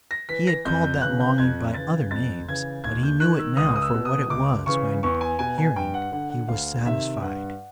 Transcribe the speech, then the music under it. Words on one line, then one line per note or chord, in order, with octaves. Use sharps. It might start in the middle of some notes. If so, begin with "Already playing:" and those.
He had called that longing by other names, but he knew it now for what it was when, hearing, he was satisfied.
A#6
E3 B6
A#6
F2 G6
G6
C#3 E3 F#6
G6
F2 G#6
C#3 E3 A6
F2 A6
C#3 E3 G#6
D#2 G#6
G6
D#3 F#6
E6
C#2 D#6
D#6
E6
B2
D#6
C#2 D6
C#3 E3 C#6
E2 C#6
G#5
B2 G#5
G#5
G2 G5
F#5
D3 F#5
F#5
D2 F5
C3 D#3 E5
G2 F#5